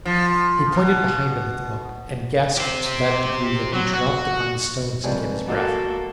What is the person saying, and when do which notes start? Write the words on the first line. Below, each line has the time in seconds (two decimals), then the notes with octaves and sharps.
He pointed behind him at the boat, and gasped to that degree that he dropped upon the stones to get his breath.
0.05 F3
0.74 B2
2.58 G4 C5
3.73 F#3
3.94 F#4
5.03 C2 F3 G3 G#3 C4 B4
5.48 A#3 B3 F4 F#4 A4 D5 D#5 F#5